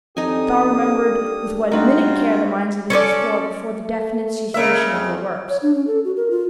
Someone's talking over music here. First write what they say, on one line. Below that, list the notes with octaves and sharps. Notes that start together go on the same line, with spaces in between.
Starr remembered with what minute care the mines had been explored before the definite cessation of the works.
F2 D4 D#4 G4 A4 G#5 D#6
G2 C4 D#4 F4 F#4 B4
C#4 A4 C5 D5
A3
C#3 A#3 E5
F2
C#5
D4
C#4
A4
F#4
A#4
F4